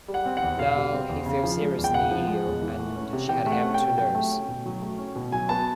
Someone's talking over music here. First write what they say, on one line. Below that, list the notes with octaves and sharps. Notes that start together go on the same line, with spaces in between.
Now he fell seriously ill, and she had him to nurse.
G3
F#5
C4
F#5
E2
B2 F5
G3
C4
E2
C#3
F3
G#3
E2
G5
C#3 F#5
F3
G#3
E2
E3
A3
C#4
C3
E3 G5
A3
F#5
C#4
G5
C3
F#3 G5
A3
C#4
B2
F#3
A3
C#4
B2
F#3 G#5
B3 A5